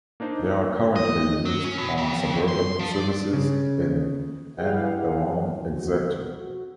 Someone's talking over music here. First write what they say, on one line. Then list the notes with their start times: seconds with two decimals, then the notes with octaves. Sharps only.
They are currently used on suburban services in and around Exeter.
0.20 A#3 D4 D#4 C5
0.96 D#5
1.45 F#3
1.64 C#4
1.78 B2
1.98 F2
2.48 C6
2.79 F3
2.92 D5
3.33 C#3
4.57 E4 G4 G#4 B4 F5 F#5
5.30 E3
5.69 F#4